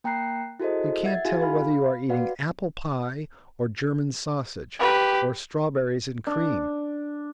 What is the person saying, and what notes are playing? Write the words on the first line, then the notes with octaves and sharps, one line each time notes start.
You can't tell whether you are eating apple-pie or German sausage, or strawberries and cream.
A#3 G5 A#5 F#6 C7
E4 F#4 G#4 A4 C5 D#5
E5 F#5 G#6 A6
E4 F#4 G#4 F5 F#5 G#5
F5 B5 F6
F#4 B4 D5 F5 F#5
G4 B4
D4